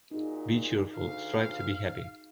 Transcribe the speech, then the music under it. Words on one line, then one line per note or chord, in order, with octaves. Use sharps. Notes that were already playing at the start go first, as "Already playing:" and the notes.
Be cheerful. Strive to be happy.
A#2 D#4 F#4 G#4
D2 F5